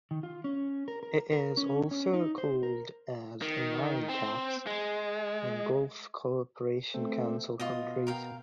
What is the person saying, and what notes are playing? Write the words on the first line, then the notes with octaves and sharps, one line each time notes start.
It is also called as "Omani caps" in Gulf Cooperation Council countries.
D#3
F4
C#4
A#4
A#4
A#4
C#4
C#4
D#4
C5
A#4
D#3
C4
G#3
A3 C4
B2 F4 D#5
A#4 F5 G5